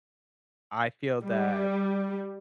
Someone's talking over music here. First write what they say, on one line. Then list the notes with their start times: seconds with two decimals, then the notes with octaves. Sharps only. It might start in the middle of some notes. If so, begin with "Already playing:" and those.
I feel that
1.24 G3